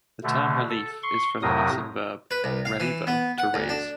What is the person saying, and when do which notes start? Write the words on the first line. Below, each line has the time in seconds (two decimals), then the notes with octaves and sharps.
The term "relief" is from the Latin verb "relevo", to raise.
0.24 B2 D3 A3
0.70 A4
1.03 C6 C#6
1.42 F2 A2 C3 F#3 A#4 D#6
2.31 B4
2.44 C2
2.65 F5
2.80 E3
3.07 B3
3.38 F#5
3.54 D2
3.69 D4